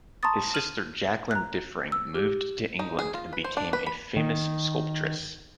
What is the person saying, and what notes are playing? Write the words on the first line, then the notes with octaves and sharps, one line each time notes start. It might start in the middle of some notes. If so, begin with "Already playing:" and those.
His sister Jacqueline Diffring moved to England and became a famous sculptress.
A5 A#5 C6 C#6 D#6 A6
F6 D#7 E7 F#7
A#5 F#6
E6
G4
D#4
G#4
F4
B4
C5
D4
B4
B5
D#3